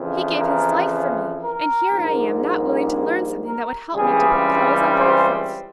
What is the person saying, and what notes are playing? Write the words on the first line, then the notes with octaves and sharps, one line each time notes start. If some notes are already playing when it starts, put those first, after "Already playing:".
He gave His life for me, and here I am not willing to learn something that would help me to put clothes on poor folks!
Already playing: F2 C#3 E3
A#4
A#4
A#1 G#2 G3 A#3
A#4
C#2 C#3 E3 G3 C4 G#4
C5